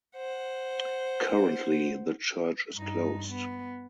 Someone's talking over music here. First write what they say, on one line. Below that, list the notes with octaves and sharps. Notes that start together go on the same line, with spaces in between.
Currently the church is closed.
C5 F#5
G2 D#4
B3